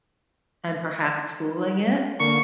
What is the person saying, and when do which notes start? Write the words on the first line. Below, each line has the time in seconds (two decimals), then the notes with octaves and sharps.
and perhaps fooling it
2.20 D3 A#3 C#6